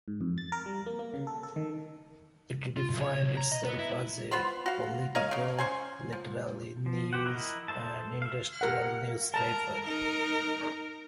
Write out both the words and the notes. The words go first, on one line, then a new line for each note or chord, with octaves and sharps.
It defined itself as a "political, literary, news and industrial newspaper".
G#2
F2
A6
A#4
G3
A#3
A#3
C#3
A4
A4
D#3
F4
B1
C#5
B1
A#5
D#5
B3
E4
B3 F4 C5 B5
F#4 F5
A#4 C#5 D#5 F5
C#3 A#3
C#4 C5 G#5
F3
F3
G4 C5 F#5
E4 A#4 D#5
A4 C5 E5 A5
E5 F5
G4 A#4 F#5
A#4 A5 A#5
D#4 A#4